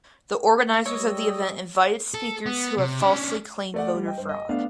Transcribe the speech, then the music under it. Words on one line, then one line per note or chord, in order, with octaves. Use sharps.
The organizers of the event invited speakers who have falsely claimed voter fraud.
G3 C#5 D#5 E6
A4
B3
C3
C#4 D4
A3 D5 F#5
G3
D#5 G5
G2 C5
D#5
A3 B3 D4 F5